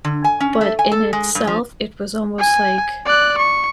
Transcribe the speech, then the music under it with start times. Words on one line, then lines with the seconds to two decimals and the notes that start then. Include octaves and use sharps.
but in itself, it was almost like
0.05 D3
0.24 G#5
0.40 C#4
0.61 A3
0.79 G#5
0.92 A4
1.13 G#3
1.35 G2
1.47 F3
2.39 G#5
3.06 D5 F#6
3.38 C#6